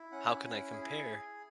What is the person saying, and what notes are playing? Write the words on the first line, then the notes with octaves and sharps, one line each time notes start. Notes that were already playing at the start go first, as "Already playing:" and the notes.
How can I compare?
Already playing: E4
C#4 F#5
E4
G#4